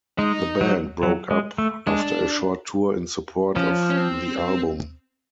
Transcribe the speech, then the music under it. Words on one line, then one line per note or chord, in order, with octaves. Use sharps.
The band broke up after a short tour in support of the album.
G#3 D#4
F#3
F#3
G#3
A3
G#3 D4
F3 C#4
C#4
C4